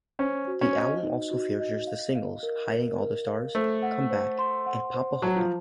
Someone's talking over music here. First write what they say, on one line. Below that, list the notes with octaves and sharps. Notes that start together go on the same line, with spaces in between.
The album also features the singles "Hiding All the Stars", "Come Back" and "Poppiholla".
C#4 C5
F#4
C#4
D#5
D#4
F#4
D#5
F5
F5
A#4
A#4
A#4
F5
A3 C5
F#5
C5
C6
F#5
C5
F#3 A5
F3